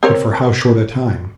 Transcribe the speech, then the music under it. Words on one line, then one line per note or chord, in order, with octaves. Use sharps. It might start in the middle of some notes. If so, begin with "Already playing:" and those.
But for how short a time!
C4 A#4 C#5